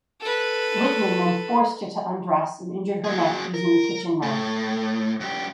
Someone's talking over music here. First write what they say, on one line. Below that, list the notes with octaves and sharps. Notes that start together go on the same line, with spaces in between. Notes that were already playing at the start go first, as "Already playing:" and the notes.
Wittmann then forced her to undress and injured her neck using the kitchen knife.
A4 B4
F#3 G#4
A#4
A2
F#2 G4